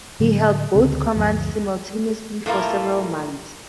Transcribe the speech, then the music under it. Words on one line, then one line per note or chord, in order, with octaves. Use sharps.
He held both commands simultaneously for several months.
A2 D3 F#3
D2 C#3 C4
D2 G2 F3
A2 A3 A#3 F4